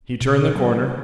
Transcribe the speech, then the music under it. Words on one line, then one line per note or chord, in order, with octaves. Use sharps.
He turned the corner.
B2
F#3 A#3 D4